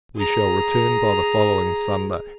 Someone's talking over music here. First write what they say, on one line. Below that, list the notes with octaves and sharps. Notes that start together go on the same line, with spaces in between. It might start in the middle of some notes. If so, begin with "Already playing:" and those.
We shall return by the following Sunday.
G#4 A#5